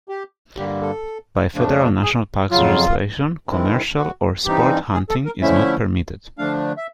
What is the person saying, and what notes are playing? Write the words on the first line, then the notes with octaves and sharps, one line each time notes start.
By federal national parks legislation, commercial or sport hunting is not permitted.
G4
G2 D3 G3 A#3 G4
A4
F2 C#3 F3 A3 D4
G#4
F2 C#3 F#3 F4
G2 D#3 G#3 C4 E4
F#4
G2 E3 G3 C4 D#4 G4
G#4
A4
A#4
D3 F3 A3 C#4 E4 E5
D3 F3 A3 D4 F5
E5